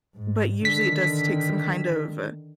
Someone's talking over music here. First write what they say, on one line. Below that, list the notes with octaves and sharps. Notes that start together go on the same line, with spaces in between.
but usually, it does take some kind of, uh,
G#2
D3 D#3 B6